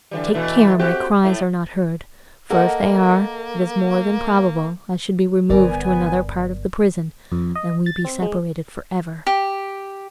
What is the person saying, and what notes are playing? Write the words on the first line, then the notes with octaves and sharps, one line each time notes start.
Take care my cries are not heard, for if they are it is more than probable I should be removed to another part of the prison, and we be separated forever.
D3 E3 G3
B2 E3 A3
C4 F#4 G4
A2 A3 E4
A#3 A4 A#4 D#5 F#5
G1 B3 A#4 D5 G#5
F2
D#5
A6
C4
G#3
G4